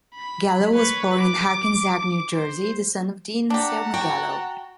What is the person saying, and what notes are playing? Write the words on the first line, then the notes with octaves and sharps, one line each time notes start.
Gallo was born in Hackensack, New Jersey, the son of Dean and Selma Gallo.
B5
B4 C#5
D6
C5
D4 G4 F#5 A5 A#5
F#4 G5